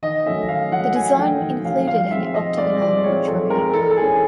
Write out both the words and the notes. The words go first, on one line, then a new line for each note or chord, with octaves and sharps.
The design included an octagonal mortuary.
D#3 D#5
F#3 A3 C#4 E5
D#3 F5
F#3 A3 C#4 F#5
D#3 G#5
F#3 A3 C#4 G5
D#3
F#3 A3 C#4 F5
F3 F5
G#3 C4 E5
F3 D#5
G#3 C4 D5
F3 D5
G#3 C4 C#5
F3 A4
G#3 C4 A#4
E3 A4
A4
G#3 C#4 G#4